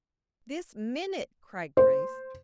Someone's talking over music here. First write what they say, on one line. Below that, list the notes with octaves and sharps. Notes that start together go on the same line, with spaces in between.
"This minute!" cried Grace.
C5